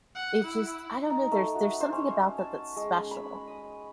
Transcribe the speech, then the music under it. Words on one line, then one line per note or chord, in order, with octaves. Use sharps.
It just I don't know. There's there's something about that that's special.
F#5
E4
D#4
A3
F#4
C5
C#4
A5
G#3
C#4
B5
D#6